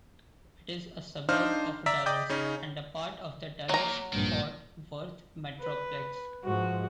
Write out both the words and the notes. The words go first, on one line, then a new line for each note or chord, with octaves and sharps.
It is a suburb of Dallas and a part of the Dallas-Fort Worth Metroplex.
D4 D#4 C5 F5 F6
D5 E5 A#5 E6 B6
D5 D#5 G5 D6 D#6 G6
C#3 C#4 D#4
A#2 F#3 A#5
A#1 G2 D#3
B4
G#2 F3 F#4